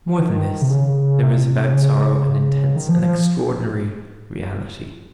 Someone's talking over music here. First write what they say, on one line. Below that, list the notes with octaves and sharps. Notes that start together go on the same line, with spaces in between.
More than this, there is about sorrow an intense, an extraordinary reality.
D#3
C3
C#3
C3
C#3
D#3
F3
F3